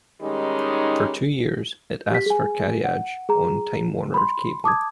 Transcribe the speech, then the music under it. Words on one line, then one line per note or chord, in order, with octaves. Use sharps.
For two years, it asked for carriage on Time Warner Cable.
D#3 G3 G#3 C#4 D#4
G4 B6
G#4 G#5
F#5
G#4 A#5
B5 C6
A5 D6 D#6 G#6